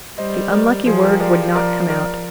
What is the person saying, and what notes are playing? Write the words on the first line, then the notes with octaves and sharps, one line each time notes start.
The unlucky word would not come out.
G3 C5 D#5
A#4 D5
F3 G#4 C5
G4 A#4
A#4 D5
A#4 D5
A#4 D5